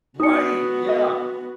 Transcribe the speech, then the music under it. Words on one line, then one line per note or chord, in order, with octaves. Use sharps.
Right! Yeah.
B3 D#4 F#4 D#6 C#7
D#5